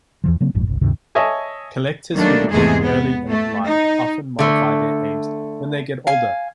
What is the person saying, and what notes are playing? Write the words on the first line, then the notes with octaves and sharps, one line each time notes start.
Collectors who begin early in life often modify their aims when they get older.
E2 E3 F3
C#3 F#3 A#3 C4
F1 A#1 F2 G#2
G1 C2
D2 G2 C3 D#3
C#5 D#5 E5 G#5 A5
D#3 F#3 G3 A3 A#3 D4
E2 G#2 C3 G#3 A3 G#4
B3
A3
D#4
D3 A3
F5 G#5